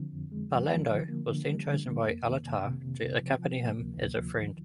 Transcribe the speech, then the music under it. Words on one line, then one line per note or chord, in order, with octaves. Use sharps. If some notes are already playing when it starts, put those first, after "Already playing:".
Pallando was then chosen by Alatar to accompany him as a friend.
Already playing: D3 F3 C4
F2
G#3
F3
F3
D3
A#3
D3
G3
D3
A#3
F2
D#3
C3
C3
C3
C3
F3
F3
A#3
D2
D2
F3
D#3